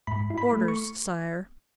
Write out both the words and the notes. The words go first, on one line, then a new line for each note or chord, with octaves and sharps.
"Orders, Sire."
G#2 B5
E4
B5
A3
C#6